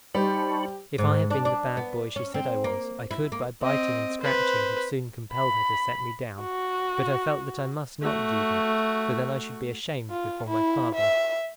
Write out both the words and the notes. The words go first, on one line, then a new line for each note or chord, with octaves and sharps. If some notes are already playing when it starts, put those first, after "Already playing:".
If I had been the bad boy she said I was, I could by biting and scratching have soon compelled her to set me down; but I felt that I must not do that, for then I should be ashamed before my father.
G3 D#4 G4 C5 A5 B5 C#6
G#2
D4
D4
B3
C#4
C4
A#3
E4
A#3
C4 D#5
B4 C5
B5
F#4
A3 F#4
F4
E4
E5